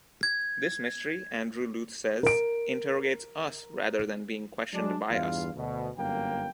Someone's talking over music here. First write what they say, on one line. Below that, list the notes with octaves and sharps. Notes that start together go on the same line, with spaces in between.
This mystery, Andrew Louth says, interrogates us rather than being questioned by us.
G#6
A#4 D7
F#3 G#3 D4
E2 G2 F4 F5
D2 B2
G1 F#2 A#3 G5